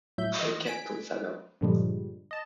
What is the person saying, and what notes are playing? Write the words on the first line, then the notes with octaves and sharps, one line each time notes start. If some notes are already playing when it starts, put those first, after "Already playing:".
A capital fellow!
A2 F#3 E5 G6
E3 D#5
G#5 B6 D7
G2 A#2 D3 F3 G3 G#3
D#5 A5